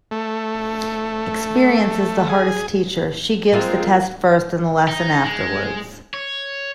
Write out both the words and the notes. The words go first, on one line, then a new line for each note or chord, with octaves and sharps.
Experience is the hardest teacher. She gives the test first and the lesson afterwards.
A3
G#4
G#3 A#3 C4 F4 E5
D#4
G#3
C#5